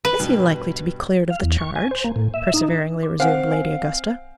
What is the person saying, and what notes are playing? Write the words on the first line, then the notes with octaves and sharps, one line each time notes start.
"Is he likely to be cleared of the charge?" perseveringly resumed Lady Augusta.
B4
G2 B2
F5
E2
C#6
G#5
C5
A#3
A2
E5
D#4
D6
C4 C5 F5 F#5 G#5
G#5